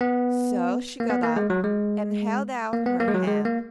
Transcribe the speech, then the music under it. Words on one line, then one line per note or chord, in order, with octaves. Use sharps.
So she got up, and held out her hand.
B3
A#3
B3
A#3
G#3
F#3
G#3
A#3
B3
A#3
G#3
F#3
G#3
A#3